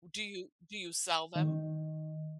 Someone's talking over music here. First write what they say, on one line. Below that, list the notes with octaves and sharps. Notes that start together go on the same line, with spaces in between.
W do you do you sell them?
D#3